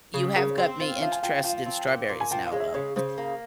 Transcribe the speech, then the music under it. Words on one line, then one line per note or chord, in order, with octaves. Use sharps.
You have got me interested in strawberries now though,
C#3 G#4
C#3 A#4
C#5
C4 C5
F4 C5
C#5
F3 E5
G#5
F3 G5
G5
F3
C4
A#2
A#2
G#5
F3 G5
F5
G#3 C#5
E5
C#3 C#5
C#3 C5
A#3